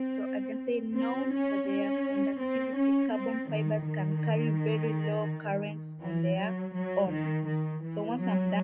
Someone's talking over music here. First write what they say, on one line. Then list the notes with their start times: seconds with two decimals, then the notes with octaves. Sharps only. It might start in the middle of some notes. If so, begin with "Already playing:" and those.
Known for their conductivity, carbon fibers can carry very low currents on their own.
Already playing: C4
0.94 C4
1.31 C#4
1.67 C#4
2.40 C4
2.76 C#4
3.12 C4
3.49 D#3
3.85 D#3
6.01 E3
6.38 F#3
6.74 F#3
7.11 D#3
7.46 D#3
7.83 E3
8.19 F#3